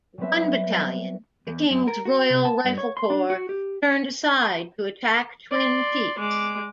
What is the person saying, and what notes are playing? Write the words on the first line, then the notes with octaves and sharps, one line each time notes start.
One battalion, the King's Royal Rifle Corps turned aside to attack Twin Peaks.
F#3 G3 B3 C4 B4 E5
E2
F#2
A#4
F#4
C3
A5
G2
C#5
C6
D4
F#4
G4
D5 C6
G#3 D6